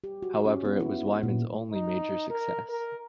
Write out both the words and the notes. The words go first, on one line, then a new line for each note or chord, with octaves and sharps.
However it was Wyman's only major success.
G4
F#4
C#4
B3
E4
E4
A#2
D#4
A#4
A#4